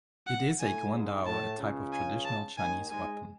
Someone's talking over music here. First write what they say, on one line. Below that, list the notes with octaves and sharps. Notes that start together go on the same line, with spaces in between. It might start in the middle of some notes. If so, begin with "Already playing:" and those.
It is a guandao, a type of traditional Chinese weapon.
F#5
A2 G#5
G#2
A2 A5
C#2 C#3
G#5
A5
D#2 D#3 G#5
G#2 G#3 G#5